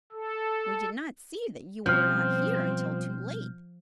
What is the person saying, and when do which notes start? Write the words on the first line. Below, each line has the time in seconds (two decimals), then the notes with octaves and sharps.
We did not see that you were not here until too late.
0.12 A4
1.86 B2 F3 G3 C4 C#4 C5 F6 G6